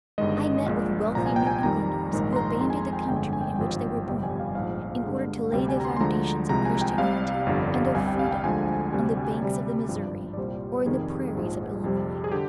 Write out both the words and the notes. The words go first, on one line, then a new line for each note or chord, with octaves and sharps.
I met with wealthy New Englanders who abandoned the country in which they were born in order to lay the foundations of Christianity and of freedom on the banks of the Missouri, or in the prairies of Illinois.
G1 G2 D#3 G#3 D#5
A#1 A#2 G#3
C2 A#2 F3 A#5
G#5
G5
G#5
F2 D#3 G3 A#5
A#1 G#2 D#3 G#3 A#5
C6
A#5
F2 D#3 G#3 C6
G#5
A#5
G5
G#5
G1 F2 D3 G#3 G5
G#5
G5
G#5
G5
G#5
G#1 G2 F3 G5
G1 F2 C3 G3 G5
G#5
F5
A#1 G#2 F3 F5
G2 D3 G#3
D2 C3 G3 G5
G#5
A#5
C6
C6
D2 D3 F3 G#3 A#5
C2 C3 F3 G#3 A#5
G#5
G5
C2 C3 G3 F5
G1 F2 D3 G3
C2 C3 G3 G#5
G5
F5
G5
D2 D3 F3 G#3 G#5
D2 C3 G3 G#5
G5
G#5
D2 C3 G3 D5
G#1 G2 F3
D5
C2 A#2 G3 C5
F2 C3 D#3 G3 G#4
A#1 G#2 F3
F2 C3 G3
G#4
D3 G4